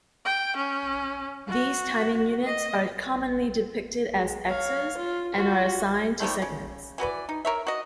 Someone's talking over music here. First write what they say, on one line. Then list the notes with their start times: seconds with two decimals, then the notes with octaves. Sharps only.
These timing units are commonly depicted as X's, and are assigned to segments.
0.25 G5
0.56 C#4
1.47 F#4
2.46 D#5
4.13 G#3
4.48 C#5 F5
4.98 F4
5.35 F4 F#4
6.20 D#3 F3 G3 A3
6.42 C#3
6.98 E3 F#4 B4 D5
7.29 D#4
7.45 A#4 C#5 E5
7.67 F#4 D#5